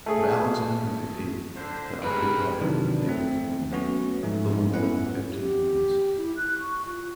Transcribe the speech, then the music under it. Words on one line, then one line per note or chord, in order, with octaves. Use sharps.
But Alexander the Eighth had occupied the papal throne little more than fifteen months.
A3 G#4
D3 C5
G#2 C3 G#3 G4 A#4 B4
C3 D#3 E3 F#3 D4
A3 C4
F#3 A3 B3 C#4 F#4
G#2 F3 A3
B3 C#4 E4 F#5
G4
E4
F#6
C#6
F4